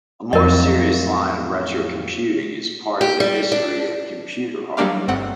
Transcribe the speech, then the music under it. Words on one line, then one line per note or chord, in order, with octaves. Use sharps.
A more serious line of retrocomputing is part of the history of computer hardware.
F2 A2 F#3 A#4 D#5
G4
G3
D4
F#3 G3 A#3 D4 G4 F5
G1 G2 A3 C4 F#5